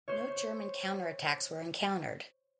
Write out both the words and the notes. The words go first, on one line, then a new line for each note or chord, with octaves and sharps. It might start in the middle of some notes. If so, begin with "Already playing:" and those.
No German counter-attacks were encountered.
C5 C#5